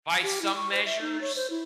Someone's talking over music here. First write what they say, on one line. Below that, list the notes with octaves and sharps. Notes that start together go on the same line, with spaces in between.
by some measures,
G4
E4
C#6
C5
E5
D#4
C#5
C5
E4